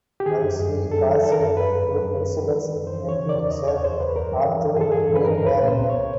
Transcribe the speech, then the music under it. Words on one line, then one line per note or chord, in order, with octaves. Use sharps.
Wisley passed to Elizabeth's nephew Sir Arthur Mainwaring.
G4
D#3 G#4
F#2
F#2
F#2
F#2 A4
D#3
D#3 A4
A#4
F#2 A4
F#2 B4
F#2
F#2
F#2
D#3
D#3
D#3
F#2
E3 C5
E3
C#5
C#3
D5
E2
C#3 D#5
E2 C#5
E2 C5
E2 B4
G2 A#4
E3
E3
G2
G#4
E3 A4
G#4
G2 A4
E3 B4
A#4
G2
A#4
C2 B4
A#2 C5
C2
C#5